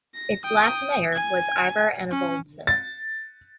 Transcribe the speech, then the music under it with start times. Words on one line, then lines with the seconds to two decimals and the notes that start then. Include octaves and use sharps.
Its last mayor was Ivar Enevoldsen.
0.15 A#6
0.45 G5 D#6
1.13 G#5 G#6
2.11 C#4
2.67 A6